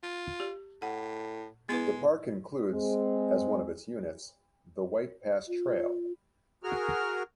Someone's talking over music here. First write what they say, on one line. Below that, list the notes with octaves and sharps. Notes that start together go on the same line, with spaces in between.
The park includes as one of its units the White Pass Trail.
F4
G4
A2 F#5
G#3 B3 E4 B4
G#3 C4
F4
F#4 G#4 A#4 F6